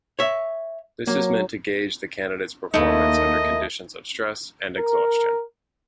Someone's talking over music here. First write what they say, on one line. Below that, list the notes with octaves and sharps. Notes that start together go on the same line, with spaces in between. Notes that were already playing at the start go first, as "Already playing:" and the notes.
This is meant to gauge the candidate's performance under conditions of stress and exhaustion.
C#5 E5
F#3 A#3
D#2 A3 A#3 D#4 E4 D#5
A#4